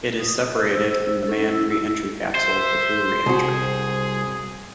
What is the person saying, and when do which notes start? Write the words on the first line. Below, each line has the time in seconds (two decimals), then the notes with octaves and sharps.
It is separated from the manned reentry capsule before reentry.
0.19 D#6
0.55 C5 E6
1.27 C#4 A4
1.48 E4 E6
2.35 C5 E5
3.26 C2 F#4 G#4